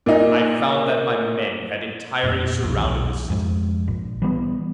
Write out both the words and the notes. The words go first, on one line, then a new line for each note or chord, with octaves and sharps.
I found that my men had entirely surrounded the city.
A#2 D#4
F1 A#2
F1 B1 F2
B1 E2
F2 G#2
A#1
E3 G3 A#3 B3